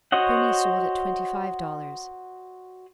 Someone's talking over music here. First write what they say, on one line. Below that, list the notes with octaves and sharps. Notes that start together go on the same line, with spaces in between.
Ponies sold at twenty-five dollars.
F#4 C5 C#5 D#5 F#5